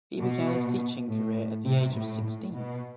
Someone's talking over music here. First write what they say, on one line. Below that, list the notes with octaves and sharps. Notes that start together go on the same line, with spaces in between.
He began his teaching career at the age of sixteen.
B2
A2
C3
A2
A2
B2